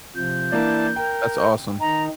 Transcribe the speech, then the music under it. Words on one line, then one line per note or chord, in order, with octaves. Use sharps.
That's awesome.
C3 F3 G6
E3 A#3 D4 E4 D5 A5
A#4 G5
D#3 D#4 A#5